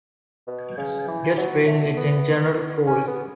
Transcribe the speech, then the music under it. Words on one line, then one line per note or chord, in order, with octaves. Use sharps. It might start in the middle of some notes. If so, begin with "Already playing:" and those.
Just bring it in general, fool!
B2
C#3
E3
F#3
A3
B3
C#4
B3